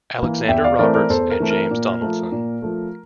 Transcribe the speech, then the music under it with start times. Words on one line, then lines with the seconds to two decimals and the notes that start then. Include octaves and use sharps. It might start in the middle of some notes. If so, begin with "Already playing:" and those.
Alexander Roberts and James Donaldson.
0.18 E3 A#3
0.48 E2 E5 G5
0.64 D5 F5
0.79 E3 A3 C4 A#4 D5
0.94 A#4 D5
1.09 E2 A4 C5
1.30 A#4
1.40 E3 A3 C4
1.50 A#4
1.71 A#2
2.01 F3 A3
2.32 A#2
2.62 F3 A3